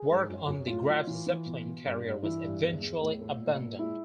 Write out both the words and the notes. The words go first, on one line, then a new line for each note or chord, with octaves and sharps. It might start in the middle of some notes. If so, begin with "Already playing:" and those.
Work on the "Graf Zeppelin" carrier was eventually abandoned.
Already playing: G#4
G#2
F#2
F#2
A2 F4
F#3
E3
E3
B2
B2
G2
G2
E3 E4
G2
E2
E2
A2
A2
A#2
A#2
G#3 E4